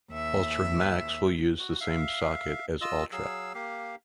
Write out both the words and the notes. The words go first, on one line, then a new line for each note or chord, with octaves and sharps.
Altra Max will use the same socket as Altra.
D#2 E5
F#4
E5 F5
F4 D#5 E6
F#3 G#4 F5 E6
A#3 G4 F5